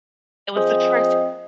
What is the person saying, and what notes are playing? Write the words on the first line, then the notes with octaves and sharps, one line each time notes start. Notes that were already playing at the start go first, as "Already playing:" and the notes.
It was the first.
F3 C4 G#4 C5 D#5 D#6